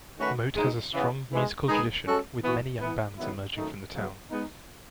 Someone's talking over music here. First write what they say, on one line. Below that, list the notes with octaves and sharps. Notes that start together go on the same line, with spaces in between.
Moate has a strong musical tradition with many young bands emerging from the town.
D#3 A3 C#4 F#4 B4
A2 G#3 D#4
C#3 E3 B3
G#2 E3 G#3
D#3 G#3 D#4 G#4 B4
G#3 C#4 F#4 A4
E3 B3 F#4
E3 B3 E4
G#2 D#3 F#3 B3 E4
F#2 D#3 A3 D#4
C#3 F#3 B3
G#3 B3 D#4